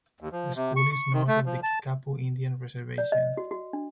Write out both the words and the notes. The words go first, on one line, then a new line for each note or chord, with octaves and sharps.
The school is north of the Kickapoo Indian Reservation.
D#2
F3
C3
C#6
C#6
D#3
A3
F3
A5
D5
D#5
F#4
F#4
D4